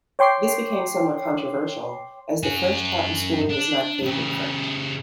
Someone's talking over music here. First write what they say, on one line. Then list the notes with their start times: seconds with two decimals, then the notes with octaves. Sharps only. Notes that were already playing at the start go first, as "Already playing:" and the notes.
This became somewhat controversial as the French taught in school was not Cajun French.
0.19 C#5 G5 C6 D6 C7
2.43 F#2 G#5
3.50 D4
4.03 C#3 G4